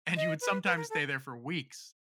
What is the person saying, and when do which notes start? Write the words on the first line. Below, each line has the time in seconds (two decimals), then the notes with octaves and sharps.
And you would sometimes stay there for weeks,
0.16 D#5
0.41 B4
0.65 B4
0.77 A#4
0.90 A4